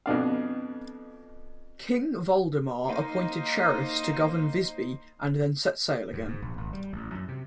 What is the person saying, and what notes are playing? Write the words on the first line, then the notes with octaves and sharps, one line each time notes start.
King Valdemar appointed sheriffs to govern Visby and then set sail again.
F2 B2 D4 F5
A#3 D#4 C5
F#2
G#2
A#1
G#1
G3
A1
F#2
C3